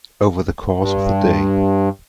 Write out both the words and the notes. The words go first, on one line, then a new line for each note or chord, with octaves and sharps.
Over the course of the day.
G2